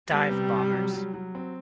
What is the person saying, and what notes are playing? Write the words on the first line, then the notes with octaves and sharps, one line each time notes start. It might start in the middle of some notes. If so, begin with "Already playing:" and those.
Dive bombers.
G3 B3
C3
C3
F#3
F#3
F#3
C4